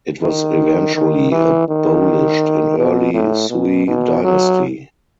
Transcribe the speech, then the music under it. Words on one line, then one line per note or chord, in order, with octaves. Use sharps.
It was eventually abolished in early Sui dynasty.
D#3
D#3
E3
D#3
B2
A2
B2
B2
F#3